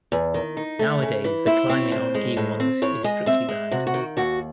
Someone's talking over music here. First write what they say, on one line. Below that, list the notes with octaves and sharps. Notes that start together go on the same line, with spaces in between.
Nowadays the climbing on Giewont is strictly banned.
E2
D#3
D#4
A3
C#3
E3
E4 C5
C4 C#5
A2 C5
G#3
A2
C4
A2 C#5
G#3 D#5
C4 E5
G#3
C3 F#4
F#4
D#3
D#2 F#4